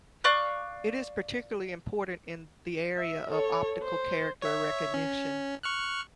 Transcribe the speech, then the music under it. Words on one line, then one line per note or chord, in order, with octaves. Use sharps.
It is particularly important in the area of optical character recognition.
D5 F5 C#6 F#6
E5
A4 C#5
C5
C#5 E5
C#4
C#6 F6 F#6